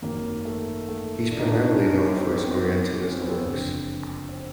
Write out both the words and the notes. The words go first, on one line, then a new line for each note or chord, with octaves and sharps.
He is primarily known for his Orientalist works.
G#1 F#2 D#3 A#3
A3
A3
D4
D#4
D4
C#4
C4
B3
C4
B3
C#4
C4
B3
C4
F#1 F2 D3
C4